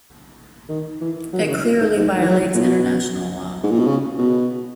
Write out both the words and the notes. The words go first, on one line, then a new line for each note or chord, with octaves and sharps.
It clearly violates International Law.
D#3
E3
F#3
D#3
C#3
A#2
G#2
G#2
E3
F#3
A#2
B2
G#2
A#2
B2
C#3
B2